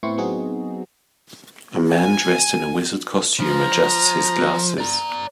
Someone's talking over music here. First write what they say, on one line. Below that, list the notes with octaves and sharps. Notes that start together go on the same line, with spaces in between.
A man dressed in a wizard costume adjusts his glasses.
A2 B3 C4 E4 C6 C#6
F#3 B3 C4 D#4 F#4 G#4
G#5
F3 A#5
D5 A#5